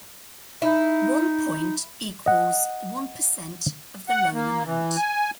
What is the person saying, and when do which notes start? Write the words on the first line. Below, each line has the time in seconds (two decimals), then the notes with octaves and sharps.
One point equals one percent of the loan amount.
0.62 D#4 E4
2.26 D#5 F#5
4.09 F#5
4.34 A#3
4.65 E3
4.97 G#5